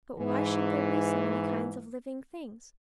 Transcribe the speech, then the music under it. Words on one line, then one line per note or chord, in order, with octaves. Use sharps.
But why should there be so many kinds of living things?
G#2 E3